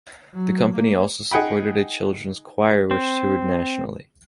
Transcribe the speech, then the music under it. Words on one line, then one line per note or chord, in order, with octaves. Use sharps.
The company also supported a children's choir which toured nationally.
F#3
A#3
D#4 G#4 F#5 G5 B5
C4